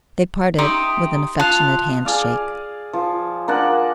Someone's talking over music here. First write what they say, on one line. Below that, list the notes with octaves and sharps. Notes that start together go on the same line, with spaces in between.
They parted with an affectionate handshake.
D#4 G4 E5 C6 D#6
F4 A5 F#6 F7
G#4 D5 F5
F3
A#3 D4 D5 F#5